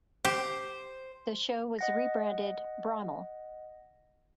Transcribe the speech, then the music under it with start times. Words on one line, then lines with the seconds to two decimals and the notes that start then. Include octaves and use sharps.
The show was rebranded Bromell!
0.25 G4 C5
1.79 D#5 F#5 A#6